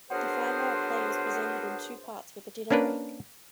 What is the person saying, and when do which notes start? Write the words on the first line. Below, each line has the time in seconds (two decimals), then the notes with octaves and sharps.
The five-hour play was presented in two parts with a dinner break.
0.11 F#3 B3 D4 G#4 A#4 C5
2.70 A#3 C#4 D4 A#4 B4